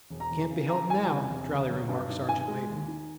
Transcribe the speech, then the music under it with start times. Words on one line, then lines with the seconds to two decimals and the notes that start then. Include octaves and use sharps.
"Can't be helped now," dryly remarked Sergeant Latham.
0.10 E1
0.20 A#5
0.31 E2
0.50 C#3
0.69 F3 A#5
0.90 E2 G#5
1.10 C3
1.30 E1
1.49 D2
1.70 F#3
1.89 G2
2.09 D#3
2.29 D#3 G#5
2.48 G#3
2.68 D#2
2.88 D#3